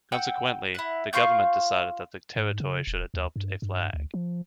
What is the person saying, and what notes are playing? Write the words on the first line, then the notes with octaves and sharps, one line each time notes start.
Consequently, the government decided that the Territory should adopt a flag.
F#5 G5 E6
E4 F#5
F4 F5 C#6 G6
G#2
C#3
D#1
D#2
G2
G2
D2
F3